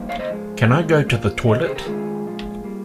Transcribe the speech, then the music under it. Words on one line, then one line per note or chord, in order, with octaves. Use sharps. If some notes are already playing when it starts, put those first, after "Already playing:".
Can I go to the toilet?
Already playing: G2 F3 A#3
C#5 F5
C5 D#5
G#2 F3 G#3
A#2 F3 G#3
A#2 F3 A#3
C3 D#3 D#5
G#4 C5
G4 A#4
F2 D#3 G#3 F4 G#4
A#2 F3 G#3
G3 A#3